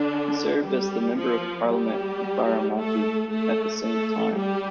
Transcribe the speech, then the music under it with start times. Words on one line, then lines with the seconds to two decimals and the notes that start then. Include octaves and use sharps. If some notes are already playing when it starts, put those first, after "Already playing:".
He served as the Member of Parliament for Baramati at the same time.
Already playing: D3 D4
0.64 G3 G4
1.17 F3 F4
1.71 G3 G4
2.77 A3 A4
3.30 A3 A4
3.83 A3 A4
4.36 G3 G4